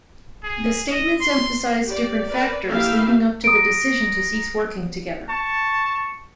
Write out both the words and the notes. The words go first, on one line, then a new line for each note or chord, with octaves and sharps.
The statements emphasise different factors leading up to the decision to cease working together.
G#4
D#5
C6
G4 D5
A#4 B4 D5
E3 A#3 G4 E5 F5
A#5 D#6 D7
A5 C#6